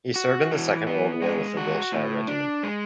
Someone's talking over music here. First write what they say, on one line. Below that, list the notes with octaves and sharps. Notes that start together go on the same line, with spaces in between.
He served in the Second World War with the Wiltshire Regiment.
F#4
E3
B3
G#3
F#4
A2
D4
G#3